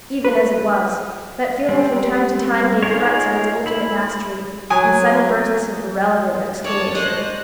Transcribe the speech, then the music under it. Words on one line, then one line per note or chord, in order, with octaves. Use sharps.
Even as it was, that feeling from time to time gave threats of its ultimate mastery, in sudden bursts of irrelevant exclamation.
B4
G3 C4
D#4 F4 G#4 A#4 C#5
E4 B5
F#3 G#5 D#6
C#5 D5 A5
C5 D#5 F#6